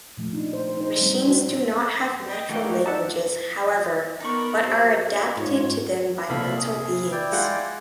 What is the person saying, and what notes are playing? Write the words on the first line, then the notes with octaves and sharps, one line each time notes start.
Machines do not have natural languages, however, but are adapted to them by mental beings.
A#2 F3 A3
A3 D4 D#4
C5
D#4 C5
F#3 G3 C4
F#4
D#5 G5
E3 A3 A#3 D#4 F#4 G5
D#4 D5 E5 F#5 A5
B3 D#4 A#4 D5 B5 C#6
F#4 G4 C5
G#2 F4 C#5
C2 A#2 A4 E5 F5 B5
G#4
E4 D5 G5
G#3 F4 F#5